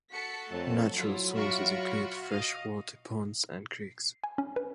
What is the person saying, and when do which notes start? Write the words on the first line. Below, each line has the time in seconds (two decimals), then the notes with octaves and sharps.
Natural sources include freshwater ponds and creeks.
0.11 F#4 A4 A5 B6 C#7
0.51 F2 F#3 A3
0.95 F#3 E4 F4
1.35 F4 F#4 E5 B5 C#6 D7
2.29 D#5 F5
3.72 C7
4.24 G#5
4.38 C#4
4.56 B4